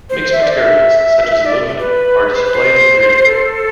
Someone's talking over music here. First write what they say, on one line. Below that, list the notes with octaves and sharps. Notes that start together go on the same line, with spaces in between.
Mixed materials such as aluminum are displayed in green.
C5
E5
D5
E5
D5
B4
C5
B4
C5
A4